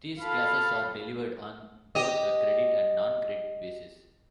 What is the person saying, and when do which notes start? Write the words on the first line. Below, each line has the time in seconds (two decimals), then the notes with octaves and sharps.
These classes are delivered on both a credit and non-credit basis.
0.19 F4 A4 F5 B5
1.95 G4 D#5